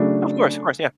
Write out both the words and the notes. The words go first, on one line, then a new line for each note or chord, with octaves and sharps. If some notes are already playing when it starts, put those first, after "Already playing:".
Of course, of course, yeah.
Already playing: C#3 F#3 A3 D4